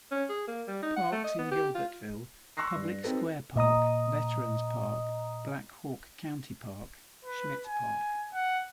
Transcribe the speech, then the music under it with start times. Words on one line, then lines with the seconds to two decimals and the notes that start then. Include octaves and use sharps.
Parks in Gilbertville Public Square Park, Veterans Park, Black Hawk County Park, Schmidt Park.
0.11 C#4
0.29 G#4
0.47 A#3
0.68 G3
0.82 D#4
0.96 F#5
1.12 A3
1.24 D#5
1.39 B3
1.51 G4
1.74 F4
2.57 C6 C#6 E6 F#6 A#6 C7
2.76 G2
3.04 C4 D#4 F#4 A4 B4
3.56 A#2 D#5 A#5 D#6
7.25 B4
7.67 G#5
8.34 F#5